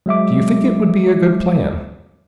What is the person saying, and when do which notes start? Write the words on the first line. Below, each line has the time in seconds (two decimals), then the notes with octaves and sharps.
"Do you think it would be a good plan?"
0.06 F#3 G#3 E5 D6